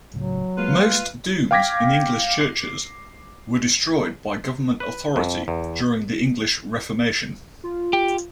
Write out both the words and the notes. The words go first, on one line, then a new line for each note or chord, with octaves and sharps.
Most dooms in English churches were destroyed by government authority during the English Reformation.
C#2 A2 C#3 F#3
G#3 A#3 F4 B4 F5
F5 G5 D6 G#6 A#6 B6
C7
B4
F2
E2
F4
G4